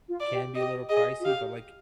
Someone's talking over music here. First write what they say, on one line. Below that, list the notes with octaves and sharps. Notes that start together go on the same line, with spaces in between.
can be a little pricey, but like
F4
D5
G4
G4 D#5
G#4 D#5
F4
G4 F5